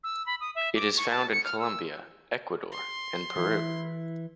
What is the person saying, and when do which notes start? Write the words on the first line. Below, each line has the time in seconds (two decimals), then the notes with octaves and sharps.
It is found in Colombia, Ecuador and Peru.
0.04 E6
0.26 B5
0.40 D#6
0.55 E5
0.75 D6
0.97 C#6
1.11 A5
1.32 C#7
1.45 F6
1.60 E6
2.72 C6
3.36 E3 E4